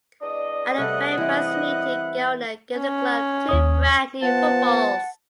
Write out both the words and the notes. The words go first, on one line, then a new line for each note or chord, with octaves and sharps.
At the very first meeting Geldner gave the club two brand new footballs.
E2 D4 D5 D#5
C3 G3 A3 A4 F#5
E3 C4 E4
C#4
D#2 C#5 D#6
F3 B3 F#5 A5